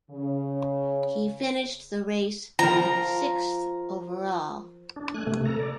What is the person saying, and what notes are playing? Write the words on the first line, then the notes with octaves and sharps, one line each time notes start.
He finished the race in sixth overall.
C#3
F3 A#4 A#5
D4
A3 G#5 F#6
C3 A3
A4 A#5
D5